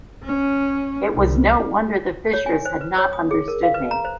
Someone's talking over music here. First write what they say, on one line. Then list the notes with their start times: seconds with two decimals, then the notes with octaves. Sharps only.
It was no wonder the fishers had not understood me.
0.24 C#4
1.14 C2
2.33 C#5
2.46 G#5
2.65 C5
2.81 B4
2.98 C#5
3.13 D#6
3.31 G#4
3.48 A#4
3.63 F5
3.74 B4
3.91 A#5
4.05 C5